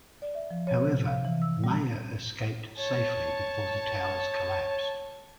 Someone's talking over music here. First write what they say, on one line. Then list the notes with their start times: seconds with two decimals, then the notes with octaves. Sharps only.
However, Mayer escaped safely before the towers collapsed.
0.22 D5
0.35 E5
0.50 F3
0.67 C#5
0.82 C3
1.07 F5
1.25 E3
1.42 E6
1.64 G3
2.78 C#5 A5